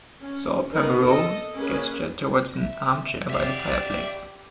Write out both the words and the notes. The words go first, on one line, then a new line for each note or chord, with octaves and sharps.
Sir Pomereux gestured towards an armchair by the fireplace.
C#4
A#3 B3 D#4 A#4
A4 D#5
A#3 C#4 G#4 B4
E5
G4 D5 E5 F5